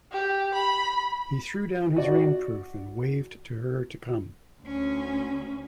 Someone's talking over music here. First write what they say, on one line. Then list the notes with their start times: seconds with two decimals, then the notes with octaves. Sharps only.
He threw down his rainproof and waved to her to come.
0.12 G4
0.54 B5
1.96 F#4 D5
4.62 D2 C#4